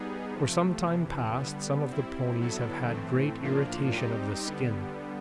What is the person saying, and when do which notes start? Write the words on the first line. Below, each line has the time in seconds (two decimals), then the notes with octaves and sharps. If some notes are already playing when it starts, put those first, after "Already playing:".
For some time past some of the ponies have had great irritation of the skin.
Already playing: G3 B3 D#4 G#4
0.33 C3 F3 A3
0.85 E2 C3 E3
1.37 D3 G3 B3
1.88 G3 C4 E4
2.40 D3 F#3 B3 E4 A4
2.91 A2 E3 A3 C4
3.43 A2 F3 A#3 D4 F4
3.95 G3 C4 D#4 G4
4.46 D3 G3 B3